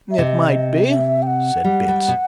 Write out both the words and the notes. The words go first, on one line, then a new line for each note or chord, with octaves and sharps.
"It might be," said Bince.
E5
C3 D#5
E5
G5
F#5
G3
G3
B2